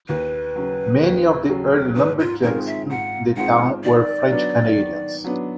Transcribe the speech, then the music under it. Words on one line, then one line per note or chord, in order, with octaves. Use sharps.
Many of the early lumberjacks in the town were French Canadians.
D#2 B4
C#3 F#3
D#2
C#3 F#3
G#2 B4
F4
D#3 G#3 C4 F4 A#4
E5
G#2 F#5
D#3 G#3 C4 F4 F#5
D#3 D5
F#3 B3 D4
D#3
F#3 B3 D4